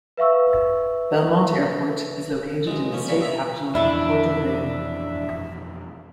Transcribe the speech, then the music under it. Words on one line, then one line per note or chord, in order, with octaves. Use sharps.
Belmonte Airport is located in the state capital of Porto Velho.
B4 E5 F5 C#6 E6
B1 G#3
F3 C#4
C2 A#2 D4 C#5 B5
B3 E4 A#5 B5
F2 B2 E3 A3 D4 E4 E5